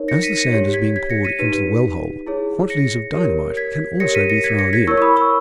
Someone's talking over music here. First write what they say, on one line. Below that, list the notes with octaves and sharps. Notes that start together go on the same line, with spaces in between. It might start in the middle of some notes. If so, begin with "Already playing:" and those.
"As the sand is being poured into the well-hole, quantities of dynamite can also be thrown in!"
Already playing: D#4 A#4 C#5
A#6 C#7
B6 D#7
A#6 C#7
G4 C#5
G#6 B6
G#6 B6
A#6 C#7
B6 D#7
D#4 G4 B4 B6 D#7
E4 G#4 C#5
A#6 C#7
G4 A#4 C#5
G#6 B6
G4 A#4 C#5 A#6 C#7
B6 D#7
A#6 C#7
G#6 B6
A#6 C#7
G#6 B6
E4 A#4 C#5 C#6 E6
C#6
B5 D#6
C#6 E6